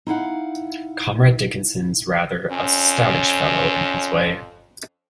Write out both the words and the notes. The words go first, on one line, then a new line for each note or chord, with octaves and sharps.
Comrade Dickinson's rather a stoutish fellow in his way.
D#4 E4 F5 F#5
F2 C#4